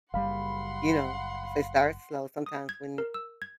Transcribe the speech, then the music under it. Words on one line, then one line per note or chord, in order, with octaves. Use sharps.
you know, if they start slow sometimes when
F#1 G3 F5 F#5 B5 C6
D#6
G#6
A#4
E6
G#6